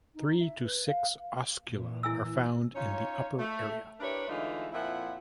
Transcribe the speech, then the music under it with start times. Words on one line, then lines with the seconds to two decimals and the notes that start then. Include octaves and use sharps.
Three to six oscula are found in the upper area.
0.15 D#4
0.40 E5
0.63 B4
0.87 F5
1.67 A#2 E3
2.03 E4 G#5 E6
2.75 C#4 D#4 F4 C#5
3.39 A3
4.00 D4 E4 G4 A#4 B4 C#5
4.28 D3 E3 G#3 A3 D#4 F4
4.72 F2 A#2 F3 E4 E5 F#5